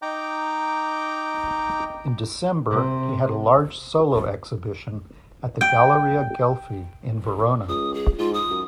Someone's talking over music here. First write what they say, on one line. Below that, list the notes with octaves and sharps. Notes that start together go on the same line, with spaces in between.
In December he had a large solo exhibition at the Galleria Ghelfi in Verona.
D#4 G5 A#5 D6
C3
G5
C#2 D#6
G#4
G#2 F4
D#6
F#2